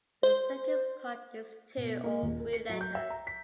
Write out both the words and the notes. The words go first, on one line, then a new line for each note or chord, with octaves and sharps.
The second part is two or three letters.
C5
B2
A#3
D#1
A#4
C#7
F#3
G6
E5
A#5
B6